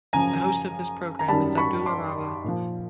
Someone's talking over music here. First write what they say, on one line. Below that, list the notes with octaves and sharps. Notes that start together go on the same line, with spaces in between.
The host of this program is Abdullah Rava.
F#2 C#3 F3 G#5 A#5
A#5
F#2 D#3 G3 A5 B5
B5 C#6
C6 D6
A#2 F3